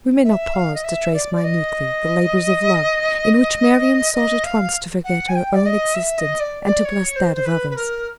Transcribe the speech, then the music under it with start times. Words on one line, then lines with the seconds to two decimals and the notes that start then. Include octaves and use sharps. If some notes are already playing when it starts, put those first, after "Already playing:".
We may not pause to trace minutely the labors of love in which Marian sought at once to forget her own existence and to bless that of others.
0.23 E5
0.53 F5
0.74 D#5
0.83 E5
1.13 D5
1.34 D5
1.43 D#5
4.14 D#5
4.44 F5
5.04 F#5
5.28 G#5
5.35 G5
5.53 D5
5.65 D#5
5.94 E5
6.18 D#5
6.39 D5
6.63 D5
6.84 C#5
7.15 C5
7.34 C5
7.45 B4
7.69 B4
7.75 A#4